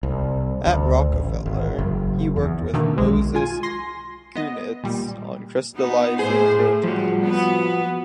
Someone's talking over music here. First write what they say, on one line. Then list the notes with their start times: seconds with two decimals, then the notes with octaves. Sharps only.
At Rockefeller, he worked with Moses Kunitz on crystallising proteins.
0.03 C2
0.67 D2
1.12 A1
1.46 G#1
1.79 F#1
2.36 E2
2.73 B2 D3 D#3 A3 A#3
2.98 B1 G#3
3.35 F4 G#5
3.63 C6 A#6
4.35 B3 D#5
4.84 A#2 G3
5.76 B3 D#4
6.19 A2 G#4 C5
6.52 A2
6.83 F3 G3 F#4
7.22 B3